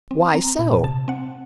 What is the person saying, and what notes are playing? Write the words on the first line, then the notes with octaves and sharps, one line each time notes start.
"Why so?"
C4
C4 A#5
A#2
C3 A5
C4 F#5